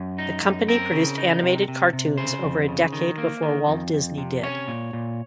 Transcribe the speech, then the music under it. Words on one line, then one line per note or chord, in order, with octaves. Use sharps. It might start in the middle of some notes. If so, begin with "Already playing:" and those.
The company produced animated cartoons over a decade before Walt Disney did.
Already playing: F#2
D#4
F#2
C4 A#4
C#3
D#4
C3
C3
C3
C#3 C5
F2
C#3
D#3
A#3
D#3
F2
F2
C3
C#4 C#5
A#2
A#2